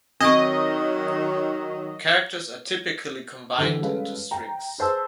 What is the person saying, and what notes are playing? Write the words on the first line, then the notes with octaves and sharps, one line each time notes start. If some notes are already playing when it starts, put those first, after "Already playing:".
Characters are typically combined into strings.
D#3 F#3 C4 D#5 C#6
D3 E3
G3 G#3 C#4 A4 B4 F5
G5 A#5
G#4 B4 C5 A5 E6